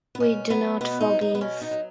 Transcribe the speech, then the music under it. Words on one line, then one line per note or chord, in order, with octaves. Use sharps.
We do not forgive.
B3
B2 C#4
F#3 B3
B2 B3
D#4
F#3
D#4
B3
B2 C#4
D#4
F#3